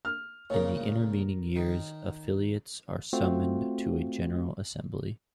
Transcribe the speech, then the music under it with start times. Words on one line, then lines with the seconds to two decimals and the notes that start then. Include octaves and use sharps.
In the intervening years, affiliates are summoned to a General Assembly.
0.05 F6
0.50 A#2 C#3 A#4 C#5
1.56 D#3
3.13 A3 C4 F4 F#4